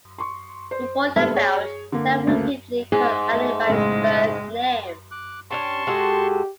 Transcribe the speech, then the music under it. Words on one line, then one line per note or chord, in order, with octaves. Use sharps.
Before the bout, Terrell repeatedly called Ali by his birth name.
C6 C#6
C5
F#1 G2 B3 A4 E5 F6
G#4 C#5
D3 A#3
D2 C#3 A3 A#3
G#2 G#4
A3
B1 A2 C#3 G#3
D6 F#6
C#4 D4 G4 A5 C6 C#6
G#3 F#4 G4 A4